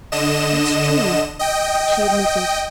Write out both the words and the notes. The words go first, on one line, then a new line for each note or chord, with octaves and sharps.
"That's true," she admitted.
D3 D#5 E7
D#5 G5